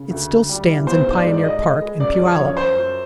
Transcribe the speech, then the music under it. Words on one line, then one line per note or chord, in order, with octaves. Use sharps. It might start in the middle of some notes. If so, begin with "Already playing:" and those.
It still stands in Pioneer Park in Puyallup.
Already playing: C#3
D2
D2
G3
E3
B3 C5
G#2
D5
G#3
D5
G#3 D#5
G#3
G#3
F#2 D5
F3
C#5
F#2
F#2 C5
F#2